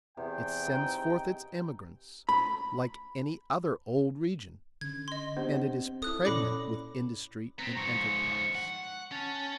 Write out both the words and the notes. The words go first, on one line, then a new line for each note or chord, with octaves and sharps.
It sends forth its emigrants like any other old region, and it is pregnant with industry and enterprise.
E2 C3 G5
C4 D#4 G#4
B5
D3 C#4 G#6
D#5 C6
B3 D4 G4 C5
C4
E4 A4 D#6 F#6
A#2 C#4 E4 A4 C#5 D5 B5 D6
B3 C4 A#5
G#2 F3 C#6
F#5
C#4 A5